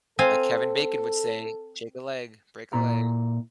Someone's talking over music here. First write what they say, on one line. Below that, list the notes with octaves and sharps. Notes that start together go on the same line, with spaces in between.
Like Kevin Bacon would say, "Shake a leg. Break a leg."
C4 A4 F5 G#5
A#2 E4 A#5